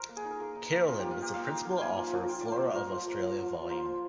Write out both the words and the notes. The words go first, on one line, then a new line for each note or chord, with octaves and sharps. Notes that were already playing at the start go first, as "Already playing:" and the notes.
Carolin was the principal author of Flora of Australia Vol.
Already playing: A#4 C5
A#3
G#4
D#4
A#4
A#3 G#4
D#4
A#3
D#4 F4
A#3 G4
F4
D#4 G4
A#3 F5
D#4
A#3
A#3 G5 G#5
F3
F3
F4 G5
A#3 D5
C5
F3
F3 A#4
F4
A#3
F3
F3
F4
A#3 C5
F3